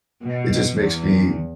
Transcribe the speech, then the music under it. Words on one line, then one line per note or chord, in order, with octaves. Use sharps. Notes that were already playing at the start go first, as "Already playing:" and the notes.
it just makes me,
B2
E2